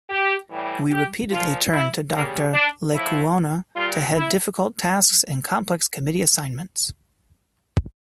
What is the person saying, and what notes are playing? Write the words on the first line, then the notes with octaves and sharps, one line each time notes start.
We repeatedly turned to Dr. Lecuona to head difficult tasks and complex committee assignments.
G4
A2 E3 G3
G4
A#2 F3 F4
E4
C#3 G3 A#3
D4
A2 F3 E4
A#2 G3 F4
E4